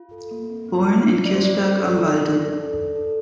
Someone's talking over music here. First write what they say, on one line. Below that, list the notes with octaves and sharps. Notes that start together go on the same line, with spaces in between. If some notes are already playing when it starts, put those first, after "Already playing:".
Born in Kirchberg am Walde.
Already playing: F4
A4
A#3
C4
C4
E4
C4
E4 D5
C5
C4 D5
A4
A4
A4
D4
D4
A4
A4
A4